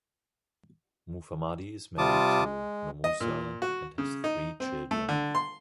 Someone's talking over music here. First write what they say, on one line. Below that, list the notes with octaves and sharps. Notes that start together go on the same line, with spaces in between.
Mufamadi is married to Nomusa and has three children.
C3 G3 F4 A5 D6 D#6
G#3
D#5
A#2
F#4
C#3
D#4
C4
A3
D3
C6